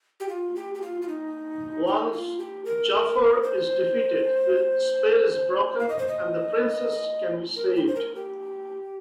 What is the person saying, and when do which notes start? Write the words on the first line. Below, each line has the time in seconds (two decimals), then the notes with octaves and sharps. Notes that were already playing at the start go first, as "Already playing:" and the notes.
Once Jaffar is defeated, his spell is broken and the Princess can be saved.
0.20 G4
0.29 F4
0.56 G4
0.75 G4
0.82 F4
1.02 F4
1.08 D#4
1.87 D#4
2.13 F4
2.39 G4
2.65 A#4
3.43 C5
5.79 F5
5.89 D#5
5.99 C5
6.08 D#5
7.56 A#4
7.76 G4
7.87 C5
7.96 A#4
8.15 G4